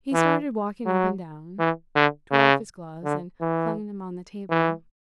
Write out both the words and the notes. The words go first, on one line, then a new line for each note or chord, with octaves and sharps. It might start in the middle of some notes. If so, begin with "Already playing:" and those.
He started walking up and down--tore off his gloves and flung them on the table.
E3
F#3
E3
D3
C#3
D3
E3
E3